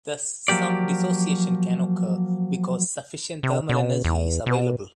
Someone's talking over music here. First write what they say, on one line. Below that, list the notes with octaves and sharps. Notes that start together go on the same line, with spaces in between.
Thus some dissociation can occur because sufficient thermal energy is available.
F3 F#3 A#3 G4 D5
C3
B2
E2
B2